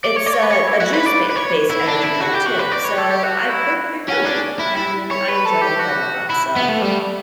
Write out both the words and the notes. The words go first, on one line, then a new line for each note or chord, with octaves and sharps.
It's a a juice ba based energy drink too, so I they're they're yummy, and I enjoy them quite a lot, so
D5
C#5
D5
C#5
B4
C#5
E4
F#4
B4
D5
B4
C#5
E4
D4
E4
F#4
G4
F#4
B4
D5
C#5
A4
G4
F#4
E4
C#4
D4
E4
E4
C#5
B4
A4
G4
F#4
E4
B3
A3
G3